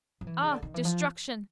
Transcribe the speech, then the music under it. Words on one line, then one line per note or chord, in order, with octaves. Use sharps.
Ah! Destruction!
F3
E3
C#3
D3
D#3
E3
F3